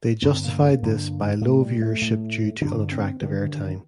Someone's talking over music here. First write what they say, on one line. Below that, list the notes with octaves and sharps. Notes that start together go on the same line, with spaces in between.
They justified this by low viewership due to unattractive airtime.
G2 D3 A#3
C4
A#3
G2 D3
A2 A3
G3
A3
A2
G2 D3 D4
C4
G2 D3 D#3